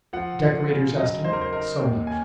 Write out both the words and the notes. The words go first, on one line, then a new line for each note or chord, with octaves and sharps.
Decorator's estimate, so much.
F3 F#5
F3
C#3
F#3 D#5
D#4 C5
A#4
C5
D#4 A#4
D#2
C#4 G#5